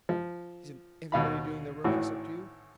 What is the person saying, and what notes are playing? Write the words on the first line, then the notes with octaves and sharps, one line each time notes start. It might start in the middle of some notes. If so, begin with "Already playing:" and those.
Isn't everybody doing their work except you?
F3
D#2 B2 F5 B5
G#1 A2 E3 F#4